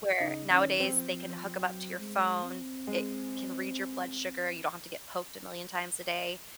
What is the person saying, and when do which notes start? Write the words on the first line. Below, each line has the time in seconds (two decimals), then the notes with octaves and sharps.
where nowadays they can hook 'em up to your phone. It can read your blood sugar. You don't have to get poked a million times a day.
0.20 C#3 D#4
0.50 D#3 C#4
0.80 F3 C4
1.10 F3
1.54 F#3
1.98 G#3
2.43 C4
2.87 G#3